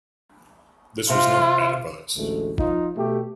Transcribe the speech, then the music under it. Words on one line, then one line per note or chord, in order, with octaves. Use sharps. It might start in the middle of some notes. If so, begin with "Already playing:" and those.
This was not bad advice.
C3 F4
A1 D2 G#3 A3
F3 D#4 F4
B2 A3 G4